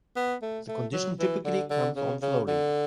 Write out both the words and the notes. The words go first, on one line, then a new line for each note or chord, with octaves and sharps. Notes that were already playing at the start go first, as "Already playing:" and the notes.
The condition typically comes on slowly.
B3
A3
A3
F#3
E3
D3
D3
C#3
C#3
D3